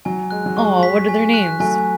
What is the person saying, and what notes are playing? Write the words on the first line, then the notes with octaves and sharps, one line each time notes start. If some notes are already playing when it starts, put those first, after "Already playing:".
Aw, what are their names?
F#3 G#5
G#3 F#6
F#3
G#3 C#6
B6
G#5
F#6
F#3 A3 G#5